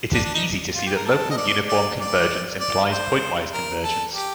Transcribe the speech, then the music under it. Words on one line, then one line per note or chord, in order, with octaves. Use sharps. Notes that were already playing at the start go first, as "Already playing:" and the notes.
It is easy to see that local uniform convergence implies pointwise convergence.
D4
D4
D#4
F4
G4
A#4
A4
D#5
D5
D5
D5
D5
C5
A#4
A4
G4